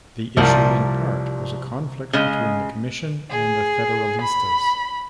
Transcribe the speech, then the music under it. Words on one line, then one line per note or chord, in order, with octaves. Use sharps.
The issue in part was a conflict between the Commission and the Federalistas.
C2 C3 F3 G3 A#3
C#3 G#3 D#5
G#4
B5